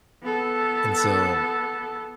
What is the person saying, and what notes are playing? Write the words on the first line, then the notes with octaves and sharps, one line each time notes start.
And so
B3 A4